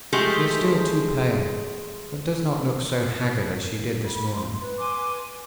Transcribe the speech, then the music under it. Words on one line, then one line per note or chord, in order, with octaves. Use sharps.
She is still too pale, but does not look so haggard as she did this morning.
F3 G#3 A3 G4 G#4
B5
C6
B4
G#5 C6 D6